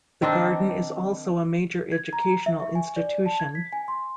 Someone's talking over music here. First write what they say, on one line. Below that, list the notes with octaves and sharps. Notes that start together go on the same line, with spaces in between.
The Garden is also a major educational institution.
D#3 C4 D4 A4
G#6
A#5
E5
C#6
G#5
D5
A5
G#6
B6
G#5
C6